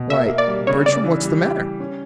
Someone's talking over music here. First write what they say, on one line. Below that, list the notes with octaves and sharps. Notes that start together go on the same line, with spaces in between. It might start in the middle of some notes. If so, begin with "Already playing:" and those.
"Why, Bertram, what's the matter?"
Already playing: B2
A#3 E5
A#3
D5
G3
C#3 C#5
C#3 D5
E3
G3
G4
G3
C#4